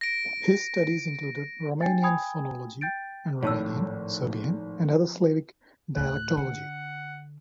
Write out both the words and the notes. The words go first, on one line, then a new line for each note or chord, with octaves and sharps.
His studies included Romanian phonology, and Romanian, Serbian, and other Slavic dialectology.
A#6 D7
D4 G5 G#5 A6
G5 G#5 B5 D#6 G#6
G5 G6 A6 D7
G#1 F2 A2 C#5 A5 E6
D2 A2 F#6
D3 F#5